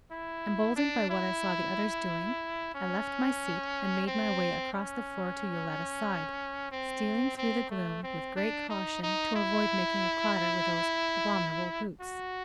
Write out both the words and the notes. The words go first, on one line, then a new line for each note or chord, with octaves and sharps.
Emboldened by what I saw the others doing, I left my seat and made my way across the floor to Yoletta's side, stealing through the gloom with great caution to avoid making a clatter with those abominable boots.
E4
D4
E4
C#4
C4
C#4
C4
C4
A3
C4
D4
D#4
D#4
E4
F#4